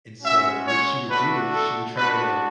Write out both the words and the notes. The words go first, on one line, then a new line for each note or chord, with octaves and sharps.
and, so, what she would do is she would try to
G#3 C#4 F#4 E5
C#5
A3 D4 F#4 B4
A4
G#3 D4 F#4 B4